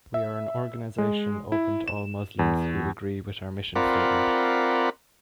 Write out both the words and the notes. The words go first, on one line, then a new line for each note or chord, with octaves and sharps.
We are an organization open to all Muslims who agree with our mission statement.
E5
G#3
E4
E7
E2
C4 F4 A#4 D5 F#5 B5